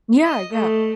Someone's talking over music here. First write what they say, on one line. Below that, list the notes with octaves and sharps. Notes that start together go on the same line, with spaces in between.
Yeah, yeah.
D#5
A3